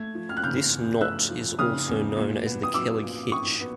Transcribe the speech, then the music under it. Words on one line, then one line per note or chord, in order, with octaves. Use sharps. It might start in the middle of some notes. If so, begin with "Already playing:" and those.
This knot is also known as the kelleg hitch.
Already playing: A3 G#6
F3
F6
F#6
C#3 F6 G6
E2
A3 E6 F#6
F3
C#3 D#6 F6
E2
A#2
B3
D#6
F#3 D6 E6
A#2
A#2 C#6 D#6
B3